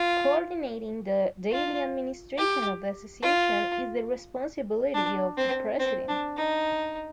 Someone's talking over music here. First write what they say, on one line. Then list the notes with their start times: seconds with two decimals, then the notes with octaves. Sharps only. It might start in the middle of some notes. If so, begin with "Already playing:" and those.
Coordinating the daily administration of the association is the responsibility of the President.
Already playing: F4
1.52 F4
2.38 G4
3.23 F4
4.94 D4
5.37 C4
5.79 C4
6.08 D4
6.37 D#4